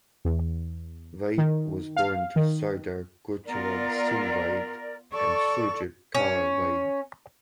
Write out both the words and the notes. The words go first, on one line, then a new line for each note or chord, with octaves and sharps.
Vaid was born to Sardar Gurcharan Singh Vaid and Surjit Kaur Vaid.
E2
D#3
F5
D#3
B3 F4 A#4 D5
A4 D5 C#6
C#4